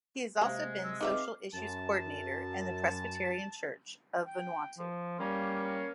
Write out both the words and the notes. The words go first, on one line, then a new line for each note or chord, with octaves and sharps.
He has also been social issues coordinator in the Presbyterian Church of Vanuatu.
C3 G#3 A#3
E6
G#3 C4 D#4 B4 E5 F5 D6
F#2 A5
G5
F3
G3 A#3 C#4